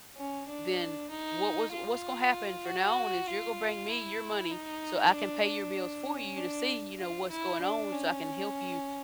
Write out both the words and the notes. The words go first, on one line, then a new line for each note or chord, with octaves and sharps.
then, what was what's gonna happen from now on is you're gonna bring me your money, so I can pay your bills for you to see, you know, what's going on, so I can help you,
C#4
D4
D#4
F4
F#4
F4
E4
D#4
D4
D4
C#4
D4
F4
E4
D4
C#4